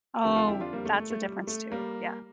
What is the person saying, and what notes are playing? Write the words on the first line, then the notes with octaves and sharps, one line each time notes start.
Oh, that's a difference too, yeah.
F2 D3 F3 G4 A#4
F4 A4
E4 G4
D4 F4
G3 A#3
A3
A3
A3
G3
A3
G3 A#3